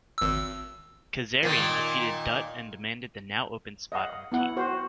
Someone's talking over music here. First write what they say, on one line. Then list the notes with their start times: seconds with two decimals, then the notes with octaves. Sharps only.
Kazarian defeated Dutt and demanded the now-open spot on the team.
0.18 G#1 E6
1.43 A#2 D#3
3.92 D#5 F5 F#5
4.32 B3 E4 F#5
4.57 F#4 C5